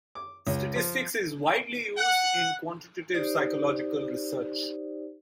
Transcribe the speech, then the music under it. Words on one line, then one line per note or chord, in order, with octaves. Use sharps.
Statistics is widely used in quantitative psychological research.
D6
C#2
F3
F#5
D#4 G4 C5 D5